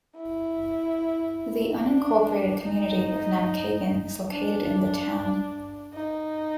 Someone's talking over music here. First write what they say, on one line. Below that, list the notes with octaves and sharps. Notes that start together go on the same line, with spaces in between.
The unincorporated community of Namekagon is located in the town.
E4
D4
D#4
D4
D#4